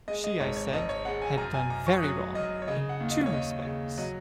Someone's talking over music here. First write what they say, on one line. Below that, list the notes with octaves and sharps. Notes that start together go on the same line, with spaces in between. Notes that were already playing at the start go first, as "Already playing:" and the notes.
She I said had done very wrong in two respects.
G#3 D#5
D#5
G#1 C#5
C#5
G#1 D#5
C#5
G#3 F#5
G#5
F#2 A#5
G#5
F#2 A#5
C#6
D#6
F#3 F#6
F#2 D#5
C#5
C#3 D#5
F#5
D#2
D#5
C#5
D#2 D#5
C#3
F#3 D#5